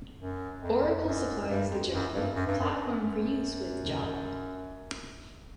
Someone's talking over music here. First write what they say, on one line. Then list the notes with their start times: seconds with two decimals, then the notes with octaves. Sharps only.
Oracle supplies the Java platform for use with Java.
0.19 F#2
0.62 F2
1.05 F#2
1.40 F#2
1.49 G2
1.70 F2
1.92 F#2
2.13 G2
2.34 F#2
2.47 G2
2.60 F#2